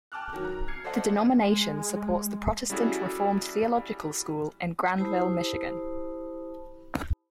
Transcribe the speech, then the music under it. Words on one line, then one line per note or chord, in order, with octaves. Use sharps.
The denomination supports the Protestant Reformed Theological School in Grandville, Michigan.
G5 A5 D6 F6 F#6
D#3 F#3
A#5
F6 G#6 C7 C#7
A4 C5 D5 D#5 F#5 A5
G#3
G3 C#4 E4 F#4 G#4 A4
E4 G4 C5 A5 B5 D#6